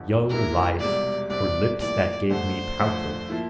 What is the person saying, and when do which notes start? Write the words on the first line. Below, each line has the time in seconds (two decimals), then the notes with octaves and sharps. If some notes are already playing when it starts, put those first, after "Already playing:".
Young life, her lips that gave me pouting.
Already playing: G1 F2 D3
0.30 C2 C3 E3 A#3 E4 A#4
0.80 E1 E2 C3 G3 D5
1.30 C2 C3 G3 C4 D5
1.80 A1 G2 F3 A#3 E4 D5
2.29 F2 D3 A3 C5
2.79 G1 F2 D3 A3
3.29 F3 A#3 E4